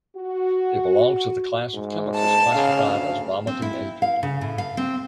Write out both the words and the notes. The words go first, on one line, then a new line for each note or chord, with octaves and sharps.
It belongs to the class of chemicals classified as vomiting agents.
F#4
G#2
A5
C#3 F5
D2
C4
E4
F5
C#3
A2
F5
C4